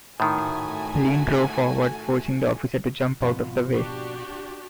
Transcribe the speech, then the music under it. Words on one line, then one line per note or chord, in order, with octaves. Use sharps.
Lynn drove forward, forcing the officer to jump out of the way.
A2 D#3 A3 F#4 G#5
G#1 B2 F3 F4 C6
D4 F#4 G4